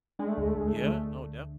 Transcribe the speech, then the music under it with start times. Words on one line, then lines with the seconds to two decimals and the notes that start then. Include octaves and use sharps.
Yeah. No, def
0.19 G#3 D4
0.28 A3
0.38 D2 G#3
0.48 A3
0.56 D2 G#3
0.67 A3
0.74 D3 G#3
0.86 A3